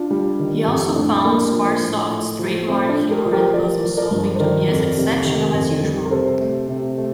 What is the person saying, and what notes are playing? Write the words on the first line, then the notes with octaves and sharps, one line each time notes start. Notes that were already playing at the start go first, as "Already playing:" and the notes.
He also found Squaresoft's trademark humor and puzzle-solving to be as exceptional as usual.
Already playing: D4 F4
G3
D#3
F2
A2 D4
A#3
F3
A2
A2
F3
A3 C4
D4
A3
G4 A#4
F3
G4 A#4
F3 A#4 D5
F3
A#4 D5
G2
C5
D#3 A#4 D5
F2
C3
D#3
F2
G3
A#4
C3 A4 C5
A3
C3
A3